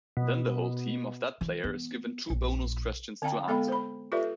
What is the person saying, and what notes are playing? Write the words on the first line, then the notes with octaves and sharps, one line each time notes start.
Then the whole team of that player is given two bonus questions to answer.
B2
E3
B3
A#1
D3 C4 D5 F5 G5 A#5
G#3 B3 A4 F5 G5 B5
C5 B5
F4 G4 A4 B4 D5 E5